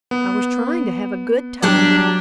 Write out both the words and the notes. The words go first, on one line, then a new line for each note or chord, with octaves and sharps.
I was trying to have a good time.
B3
F#3 G3 D4 G4